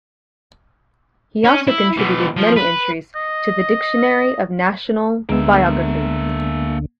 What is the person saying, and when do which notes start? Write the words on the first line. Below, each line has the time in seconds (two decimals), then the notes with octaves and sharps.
He also contributed many entries to the "Dictionary of National Biography".
1.44 C#4
1.67 E4
1.97 B2 E3
2.36 F3
2.56 B4
3.16 D#5
5.29 D2 D3 G#3 A#3 B3 E5